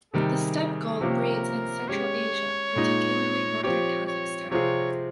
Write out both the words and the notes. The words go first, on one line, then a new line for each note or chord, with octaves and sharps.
The steppe gull breeds in Central Asia, particularly northern Kazakhstan.
C3 D#3 G3 G#4
C3 F3 A#3 C#4 G4 A#4
G#3 C#4 G4 C#5
A#2 G#3 D#4
F3 C4 G4 C#5
C#5
C3 F3 C4 F4 G#4 C#5